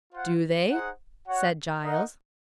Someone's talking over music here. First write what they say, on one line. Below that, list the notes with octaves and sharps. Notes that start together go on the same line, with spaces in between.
"Do they?" said Giles.
F4 C5 F#5
D#4 G#4 C5 F#5
F#4 C#5 F#5
D#4 A#4 D#5 F#5